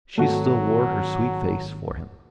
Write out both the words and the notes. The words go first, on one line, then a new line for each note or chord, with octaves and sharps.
She still wore her sweet face for him.
G#1 F#3 A3 F#4